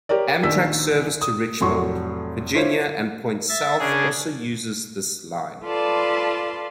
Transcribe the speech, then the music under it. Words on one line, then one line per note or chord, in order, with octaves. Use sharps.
Amtrak service to Richmond, Virginia, and points south also uses this line.
G4 A#4 C#5 D5
A#1 D#3 E6 B6
D#6
F1 A2 F#3 C6 C#6
E4 F4 C5 C#5
E5 A6
C#3 D4 G#4
F4 A4 B4 D5 A5 C6